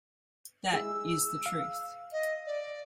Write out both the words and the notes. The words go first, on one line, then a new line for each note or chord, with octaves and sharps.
That is the truth.
G#3 E4 G#4 E6
F5
D#5
D5